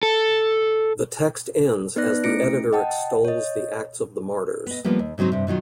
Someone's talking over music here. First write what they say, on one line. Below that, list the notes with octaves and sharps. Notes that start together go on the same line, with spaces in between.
The text ends as the editor extols the acts of the martyrs.
A4
B3 D#4 B4 D5 F#6 A#6
A3 C#4 E4 A#6 C#7 D7
D#5 F#5 G5 A5
C#5 D#5
B3 D#5
F3 G3 A#3 B3
D#2
G#2 C#3 F#3 C4 D#4
G2 C3
B2 D#3 F#3 F4